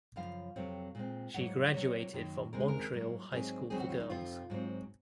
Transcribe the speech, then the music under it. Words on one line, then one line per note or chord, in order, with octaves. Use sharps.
She graduated from Montreal High School for Girls.
F#2 C#3 F3 F5
F2 C3 F#3 C4
A#2 G#3 C4
G#2 F#3 A#3 F#5
C3 F#3 A#3 C#5
F#2 D#3 F#3 A#3
D#2 C#3 G#3 C4 A#4
G#4
A#4
G#2 F#3 A#3
G#2 F#3 C4 G#4
D#2 C#3 F#3 C4 G#4
F#4
F4
D#4
F2 C3 F3 F4
G#2 F#3 C4